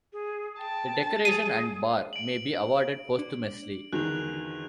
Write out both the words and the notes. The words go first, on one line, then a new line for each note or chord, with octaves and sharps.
The decoration and bar may be awarded posthumously.
G#4
G5 A5
G#4 D#7
D7 F#7
D4
E2 D3 D#3 F#4 F#6 F7